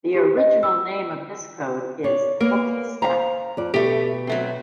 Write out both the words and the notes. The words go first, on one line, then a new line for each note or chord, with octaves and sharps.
The original name of this code is "book stack".
G4
D#5
E6
C#5 D5
A#3 B3 A#4 C#5
C5 F5 A#5
F2 D5
B2 A3 G4
F#3 A3 C4